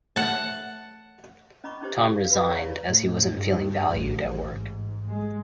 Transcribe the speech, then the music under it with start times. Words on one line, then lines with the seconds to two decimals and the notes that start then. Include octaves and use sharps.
Tom resigned, as he wasn't feeling valued at work.
0.16 F#5 A5
1.64 C#4 D#5 A#5 B5 C#6 D6
1.81 C#4 D#4 G4 C5
2.17 F5
2.30 B4 B5
2.49 C#5 D5 F5 A#5 C#6
2.82 A2
3.32 G2
3.90 A1
4.49 G#2
5.07 G#3